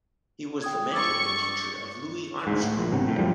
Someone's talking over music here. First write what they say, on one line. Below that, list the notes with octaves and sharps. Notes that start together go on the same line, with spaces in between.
He was the mentor and teacher of Louis Armstrong.
G5 D#6 G#6
G2 C#6 D6 E6 A6
D2 G#2
A2
A#1
G#1 G2 C3 B3
G1 A2
F#2 F3 G3